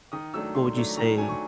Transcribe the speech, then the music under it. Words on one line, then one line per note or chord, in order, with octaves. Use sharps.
What would you say
D#3 D#6
F#3 A3 D4 E6
D#3 C6
F#3 A3 D4
D#3 A#5
F#3 A3 D4 G#5
C#6